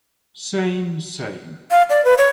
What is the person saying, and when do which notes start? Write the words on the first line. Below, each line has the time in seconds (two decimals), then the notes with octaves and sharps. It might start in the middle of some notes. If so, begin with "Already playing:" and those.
Same same.
1.71 F5
1.90 D5
2.05 B4
2.18 C#5